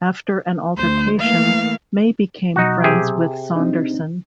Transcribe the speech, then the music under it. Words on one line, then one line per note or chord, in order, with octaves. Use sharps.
After an altercation, May became friends with Saunderson.
D2 C5
E3 A3 A#3 F5
B2 F#3 D#4 F#4
C3 G4 G#4
C4 D4 D#4